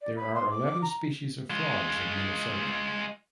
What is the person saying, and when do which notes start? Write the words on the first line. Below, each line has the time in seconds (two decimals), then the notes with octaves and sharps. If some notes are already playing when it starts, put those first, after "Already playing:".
There are eleven species of frogs in Minnesota.
0.01 D5
0.16 B5
0.34 C6
0.50 D6
0.66 D6
0.82 A#5
1.50 G#3 F4